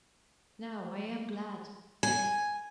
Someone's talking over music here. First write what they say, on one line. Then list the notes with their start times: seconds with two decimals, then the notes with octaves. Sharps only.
Now I am glad!'
2.03 G#5